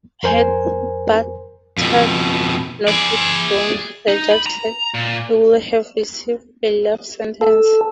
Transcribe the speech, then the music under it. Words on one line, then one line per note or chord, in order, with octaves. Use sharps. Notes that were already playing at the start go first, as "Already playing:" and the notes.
Had Badat not withdrawn, the judge said, he would have received a life sentence.
F2 A#4 C5 G#5
F2 B2
G#4 D5
D#4
B5
A#5
A#2
A4